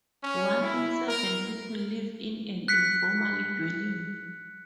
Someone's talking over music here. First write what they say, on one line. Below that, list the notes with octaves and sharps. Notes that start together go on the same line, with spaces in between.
One in seven people live in an informal dwelling.
C#4
E4
A#4
F#6 B6 C#7